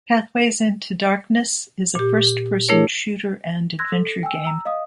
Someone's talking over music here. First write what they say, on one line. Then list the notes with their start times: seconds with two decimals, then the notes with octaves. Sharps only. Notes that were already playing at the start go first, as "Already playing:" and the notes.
"Pathways into Darkness" is a first-person shooter and adventure game.
1.95 A#2 G4
2.69 A3 D4 E4 G#4 A#4 C#5
3.79 C6 E6 F#6 G#6 A#6
3.92 A4
4.23 G5 G#5 E6
4.45 A#5 E6
4.65 D#5 F5 D#6